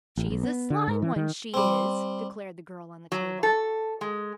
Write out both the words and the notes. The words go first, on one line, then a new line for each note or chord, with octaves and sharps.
"She's a sly one, she is," declared the girl on the table.
A1
B1
B3
D3
G#2
E3
D#3
G3 C4
F#3
A4
G#3